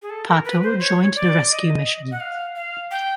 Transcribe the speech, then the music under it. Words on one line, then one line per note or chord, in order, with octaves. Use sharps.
Pato joined the rescue mission.
G#4
A4
A#4
B4
C5
C#5
D5
D#5
F#5
F5
F5
G5